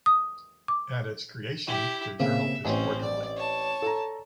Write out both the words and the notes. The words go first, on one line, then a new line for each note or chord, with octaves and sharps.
At its creation, the journal is quarterly.
D#6
D6
E4 G4
C#3 A#3 C4 E5
A1 C4 C#4
D5
C#5 A5
A4 A#5